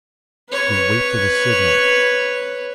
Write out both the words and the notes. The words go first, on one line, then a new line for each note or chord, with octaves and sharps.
"We wait for the signal."
B4 C#5